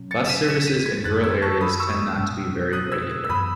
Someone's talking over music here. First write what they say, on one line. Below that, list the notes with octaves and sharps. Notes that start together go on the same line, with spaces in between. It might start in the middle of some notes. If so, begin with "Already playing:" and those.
Bus services in rural areas tend not to be very regular.
Already playing: B2 F#3 C#4
A6 C#7
E7
B6 D#7
C#7 E7
B6 D#7
G#6 B6
F#2 D#3 A3 F#6 A6
E6 G#6
A5 C#6
B5 D#6
C#6 E6
B2 G#3 B3
D#6 F#6
E6 G#6
E6
F#2 E3 B3 B5 D#6